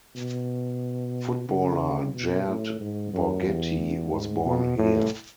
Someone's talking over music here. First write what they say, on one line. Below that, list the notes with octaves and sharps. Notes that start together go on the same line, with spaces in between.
Footballer Jared Borgetti was born here.
B2
C#3
B2
A2
G#2
F#2
E2
G#2
B2
A2